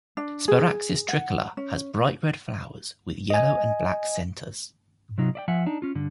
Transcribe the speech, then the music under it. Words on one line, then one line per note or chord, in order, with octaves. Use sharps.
"Sparaxis tricolor" has bright red flowers with yellow and black centres.
D4
G#4
F#5
C#4
D#5 G#5
C3 F#3 D#4 F4
D5 E5 G5
F3 E5 F#5 G#5
D4 D#4
C#4 F4
G2 D3